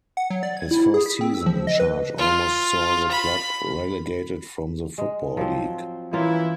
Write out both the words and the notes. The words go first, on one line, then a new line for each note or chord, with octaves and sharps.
His first season in charge almost saw the club relegated from the Football League.
F#5
F#3
D5
G#6
E4
G#4
B6
C4
E6
F3
D#5
B4
F4
B5
G#3
F3 F#3 C4
E3 A#3 C#4 E4 F4